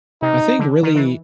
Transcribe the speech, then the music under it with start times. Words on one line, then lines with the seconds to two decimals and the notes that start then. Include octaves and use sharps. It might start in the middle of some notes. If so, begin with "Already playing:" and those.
I think really,
0.22 C3 D#4
0.59 D3
0.83 D#3
0.95 E3